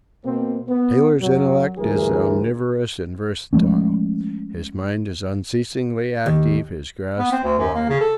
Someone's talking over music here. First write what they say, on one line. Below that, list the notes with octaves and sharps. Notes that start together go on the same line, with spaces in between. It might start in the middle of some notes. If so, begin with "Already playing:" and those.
Taylor's intellect is omnivorous and versatile--his mind is unceasingly active, his grasp wide.
B2 A#3 C4
B3
F#2 F#3
D2 G2 E3 G#4 A#4
F3 G#3 A3 C#4
D#2
B3
C4
D2
F#2
A#3
C#3
A4